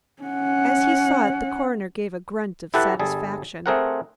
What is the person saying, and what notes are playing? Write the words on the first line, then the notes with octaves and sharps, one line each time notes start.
As he saw it the coroner gave a grunt of satisfaction.
C#4 F#5
E4 G4 A4 B4 F#5
G1 G3 G#4 A4
A3 C4 G#4 A#4 C5 F#5